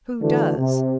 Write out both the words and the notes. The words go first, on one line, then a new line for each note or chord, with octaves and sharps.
"Who does?"
D3 E3 A3 F#4
C3